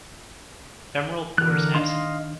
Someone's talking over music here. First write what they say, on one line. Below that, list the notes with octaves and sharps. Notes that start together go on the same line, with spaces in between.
Femoral pores absent.
D3 E3 A#4 F#6
D#3 D4 D#5 F5 C6